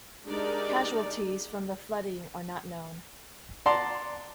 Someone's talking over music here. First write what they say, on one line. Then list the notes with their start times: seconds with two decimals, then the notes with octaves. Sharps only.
Casualties from the flooding are not known.
0.25 G#3 D4 D#4 G4 A#4 D5
3.66 D5 F#5 A5 A#5 C6